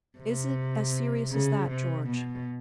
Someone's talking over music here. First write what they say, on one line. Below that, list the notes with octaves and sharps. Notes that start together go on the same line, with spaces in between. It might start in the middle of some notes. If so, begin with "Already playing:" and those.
"Is it as serious as that, George?"
C3
C#3
C3
B2